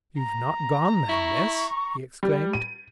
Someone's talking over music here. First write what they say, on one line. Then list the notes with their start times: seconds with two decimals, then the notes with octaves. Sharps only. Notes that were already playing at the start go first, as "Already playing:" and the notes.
"You've not gone, then, miss?" he exclaimed.
0.18 A#5
1.09 E4 C#6
2.23 G3
2.53 D#7